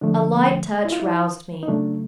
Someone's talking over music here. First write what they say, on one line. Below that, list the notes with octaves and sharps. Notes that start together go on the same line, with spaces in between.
A light touch roused me.
D3 F3 A3 D4
E4
F4
E4
D#4
C#3 F#3 A3 D4